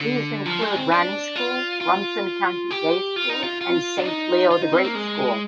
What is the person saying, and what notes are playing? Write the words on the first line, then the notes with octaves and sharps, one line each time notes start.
These include Ranney School, Rumson Country Day School and Saint Leo the Great School.
D3
F3
G#3
C4
D4
F4
F4
G4
F4
D#4
F4
F4
D4
D#4
F4
D#4
C4
A#3
G#3